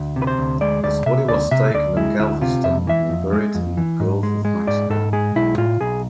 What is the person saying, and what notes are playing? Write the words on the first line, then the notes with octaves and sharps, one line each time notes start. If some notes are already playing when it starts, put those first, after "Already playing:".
His body was taken to Galveston and buried in the Gulf of Mexico.
Already playing: D2
C3
B4
C5
D2
G#3 D5
D2 D5
C3 E5
D2 D5
C3 E5
D2 D5
G#3 E4
D2 E4
C3 F4
F2 E5
E3 E5
F2
G#3
F2
E3
G#2
G#3
G#3
G#2 D5
G#2 A4
G#3 G#4
B1 E4
A2 F4
B1 G#4